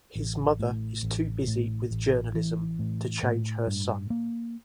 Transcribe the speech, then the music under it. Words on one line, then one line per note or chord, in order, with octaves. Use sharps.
His mother is too busy with journalism to change her son.
A1
A2
A1
A2
A1
E3
A2
A2
G2
A#3